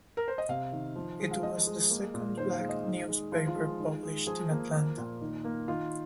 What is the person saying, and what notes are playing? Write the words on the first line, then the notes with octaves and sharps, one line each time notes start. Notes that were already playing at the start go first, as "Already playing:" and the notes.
It was the second black newspaper published in Atlanta.
A#4
C5
D#5
C3 F5
D#3
F3
G#3
F5
F3 D#5
G#3
A#3
A#2
D#3 C5
F5
G#3
D#5
D#3
G#3
F3 F4
F4
G#3
D#3
G#3
F3 G#4
A#3
A#3
A#2
D#3
A#3
D#3 F4